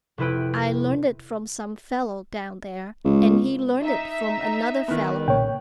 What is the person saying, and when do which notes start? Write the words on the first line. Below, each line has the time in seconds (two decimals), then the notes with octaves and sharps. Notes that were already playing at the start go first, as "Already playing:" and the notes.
I learn it from some fellow down there, and he learn it from another fellow.
0.18 F1 C3 E4 B4 G5
3.04 C#2
3.82 D#4 E5
4.88 D#3 B3
5.28 B1 A#2 C#3 C#5 G5